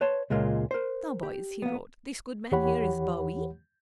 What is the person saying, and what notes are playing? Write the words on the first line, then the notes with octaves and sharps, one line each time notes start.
"Now boys," he roared, "this good man here is Bowie."
B4 C#5 A5 C6
C#2 A#2 G#3 F4 A#4
A#4 C5
G4
A#3 B3
E2 E3 G4 C#5 F#5 B5